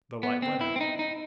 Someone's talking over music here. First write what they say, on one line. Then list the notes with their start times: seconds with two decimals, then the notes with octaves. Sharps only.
The light went out.
0.23 B3
0.42 C4
0.61 E4
0.76 C4
0.81 D#4
0.99 D#4